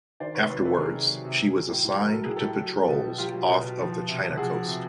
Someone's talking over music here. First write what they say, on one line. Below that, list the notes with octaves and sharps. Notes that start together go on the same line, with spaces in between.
Afterwards, she was assigned to patrols off of the China coast.
D#3 C5 D5
C3 B4 C#5
F#3 B4 C#5
C3 A4 B4
D#3 G#4 A#4
C3
F#3
C3
F#3
F#3
A2
A2
F#3 A#4
F#3 A4
A2 G#4
G4 A4
A2
F#3
F#3
B2
B2
F#3 F4 G4
F#3
B2
B2
F3
F3
C3
C3
F3 F#4 G#4
F3
C3